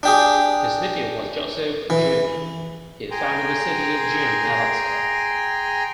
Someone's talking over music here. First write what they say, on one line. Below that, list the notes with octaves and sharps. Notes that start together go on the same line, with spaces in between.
His nephew was Joseph Juneau, who founded the city of Juneau, Alaska.
D4 G4 G#4
E3
G#4 G5 G#5 A#5 C6